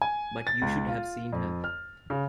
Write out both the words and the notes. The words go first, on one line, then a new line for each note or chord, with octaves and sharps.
But you should have seen her!
G#5
A6
C#2
F4
F2
F6
C#3